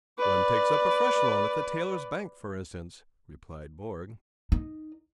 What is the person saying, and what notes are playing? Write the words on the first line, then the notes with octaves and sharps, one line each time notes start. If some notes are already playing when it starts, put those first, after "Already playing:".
"One takes up a fresh loan at the Tailors' Bank, for instance," replied Borg.
B4 D5
D#4